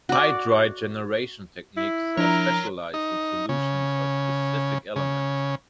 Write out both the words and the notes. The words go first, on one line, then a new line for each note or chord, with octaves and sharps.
Hydride generation techniques are specialized in solutions of specific elements.
F#4 D5
E4
F3 D4 A#4 C#5 A#5
D#4
C#3
C#3